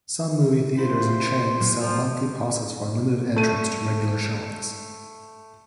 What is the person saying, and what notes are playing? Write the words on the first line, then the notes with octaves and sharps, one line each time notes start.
Some movie theaters and chains sell monthly passes for unlimited entrance to regular showings.
E4 F4 C5
A#2 F#3 A#3
A2 F3
A3 D#7